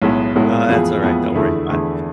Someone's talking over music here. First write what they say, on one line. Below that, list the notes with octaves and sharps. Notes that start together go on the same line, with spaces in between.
No, that's alright. Don't worry about it.
B1 A2 G#3 B3
B1 A2 G#3 B3
F2 E3 B3 F4 G#4
F2 E3 B3 F4 G#4
E2 D3 A3 E4 G#4
E2 D3 A3 E4 G#4